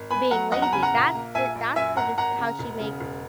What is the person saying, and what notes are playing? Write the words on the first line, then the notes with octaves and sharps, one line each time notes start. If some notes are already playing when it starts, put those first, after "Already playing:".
being lazy, that's the that's the de how she makes
Already playing: G#1
B3 G#5 B5
F#3 F#5 A#5
E2 D#5 F#5
F#5 A#5
C#3 G#5 B5
F#5 A#5
A#1
A#3
A#1 E5 G#5
A#1
F#2 E5 G#5
G#1 F#5 A#5
G#1 F#5 A#5
C#3
E1
C#3
E1